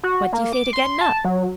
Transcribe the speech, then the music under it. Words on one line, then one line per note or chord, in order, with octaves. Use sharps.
"What do you say to gettin' up?"
F#4
A#3
D6
C6
A5
F#3